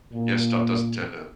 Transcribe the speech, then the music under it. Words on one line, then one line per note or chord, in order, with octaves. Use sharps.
yeah, stuff doesn't tend to
A#2